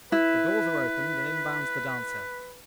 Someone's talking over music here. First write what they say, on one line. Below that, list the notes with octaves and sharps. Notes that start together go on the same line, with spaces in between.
The doors are opened and in bounds the dancer.
E4 B4